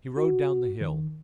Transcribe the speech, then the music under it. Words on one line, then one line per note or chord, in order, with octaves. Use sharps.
He rode down the hill.
F#4
D#3